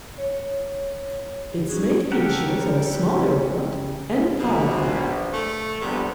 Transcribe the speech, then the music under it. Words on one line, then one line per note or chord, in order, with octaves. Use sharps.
Its main features are a small airport and a power-plant.
C#5
C#4 D#4 F#4 G#4
C#3 G4 A4 A#4 F#5
A#1 B2
A3
A#1 C3 G3 B3